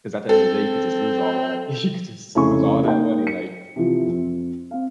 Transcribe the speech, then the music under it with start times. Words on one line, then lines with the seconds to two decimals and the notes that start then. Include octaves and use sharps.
‘cause at the end of day, you could just lose all that you could just lose all that money, like
0.29 C4 A4
2.35 F1 C#3 E4 G#5 B5 C#6
2.85 A#3 D#4 G5
3.27 C#7
3.76 C3 E3 F3
4.05 F2 C4
4.71 C4 F5